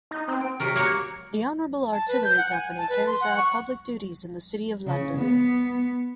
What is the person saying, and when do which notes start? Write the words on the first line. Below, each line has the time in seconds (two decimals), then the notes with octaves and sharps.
The Honourable Artillery Company carries out public duties in the City of London.
0.11 D#4
0.28 C4
0.41 D7
0.60 C3 F#3 A#4
0.76 A#3 F#4 C#5 F#5
1.92 A5
2.08 B4
2.24 G6
2.37 F#5
2.52 G#5
2.78 A5
2.89 B4
3.07 C6
3.21 F#5
3.37 C#6
4.87 C#3
5.18 B3